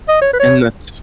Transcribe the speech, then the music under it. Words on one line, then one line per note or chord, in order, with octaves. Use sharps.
and that's
D#5
C#5
B4
C#5